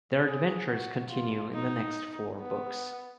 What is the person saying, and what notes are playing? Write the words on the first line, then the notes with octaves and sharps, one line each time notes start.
Their adventures continue in the next four books.
G#4
F#4
F4
D#4
B3